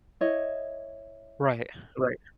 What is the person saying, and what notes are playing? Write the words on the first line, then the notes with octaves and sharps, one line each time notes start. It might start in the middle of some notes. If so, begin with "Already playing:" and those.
Right, right.
E4 C#5 D#5